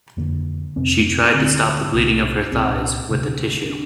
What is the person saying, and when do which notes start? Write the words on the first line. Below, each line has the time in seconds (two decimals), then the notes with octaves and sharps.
She tried to stop the bleeding of her thighs with a tissue.
0.17 F2 D3 A#3
0.76 F2 C3 C4
1.34 D2 D3 C4
1.93 C2 C3
2.52 C2 A#2 C4
3.10 D2 C3
3.70 D4